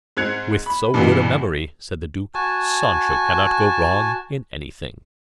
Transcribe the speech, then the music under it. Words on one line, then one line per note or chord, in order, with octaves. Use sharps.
"With so good a memory," said the duke, "Sancho cannot go wrong in anything."
G#2 C4 F#6 G#6 C#7 F7
B5
G2 A#2 C#3 E3 G#3 B3
F#4 G#5 A5